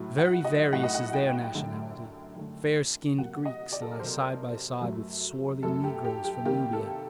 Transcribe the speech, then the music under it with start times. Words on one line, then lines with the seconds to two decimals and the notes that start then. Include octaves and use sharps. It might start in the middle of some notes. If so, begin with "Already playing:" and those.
Very various is their nationality; fair skinned Greeks lie side by side with swarthy negroes from Nubia.
Already playing: A2 F#3 A3
0.18 F#5
0.44 D#5
0.72 A2 F#3 A3 F#5
0.83 D#5
0.95 F#5
1.13 G5
1.54 F#2 D3 A3
2.36 F#2 D3 A3
3.18 C3 F#3 A#3 F#5
3.45 D#5
3.72 D5
3.82 A4
3.91 A#4
3.99 C3 F#3 A#3 C5
4.81 F#2 F#3 A3
5.63 F#2 F#3 A3 A4
5.84 G4
6.05 G4
6.24 G4
6.45 C3 D#3 G3 A#3 G4
6.73 A4